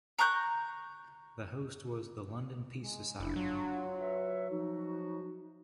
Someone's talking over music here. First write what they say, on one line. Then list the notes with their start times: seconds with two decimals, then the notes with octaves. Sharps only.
The host was the London Peace Society.
0.19 A#5 C#6 F#6 G6
2.79 G#3
3.20 F#1 D4 E4
3.36 F#3 F4
4.00 B4 C#5 E5
4.50 F3 D#4 F#4